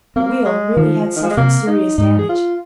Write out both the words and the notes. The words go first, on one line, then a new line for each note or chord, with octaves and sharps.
The wheel really had suffered serious damage.
A#3 C4
G#3
D#3 F3
D#3
F3
G#3
C3 A#3
D#4
G#2 D#4
G#4
F4